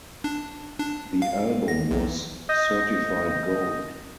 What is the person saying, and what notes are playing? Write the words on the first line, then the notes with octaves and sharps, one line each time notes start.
The album was certified gold.
D4
D4
F5
A#6
B1
D#5 D#6 G6 A#6